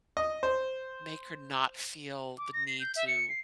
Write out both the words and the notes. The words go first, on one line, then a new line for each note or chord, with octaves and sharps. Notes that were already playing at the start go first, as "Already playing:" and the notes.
make her not feel the need to
D#5
C5
D6
A#6
C7
G6
E5
C#7
C7